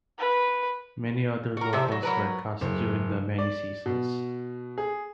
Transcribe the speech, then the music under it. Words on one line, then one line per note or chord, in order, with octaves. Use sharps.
Many other locals were cast during the many seasons.
B4
F#4 A#4
C3 F3 C5 E5
D#3 F#3
F#3 A#4 B4
F#1
D5
B2
G#4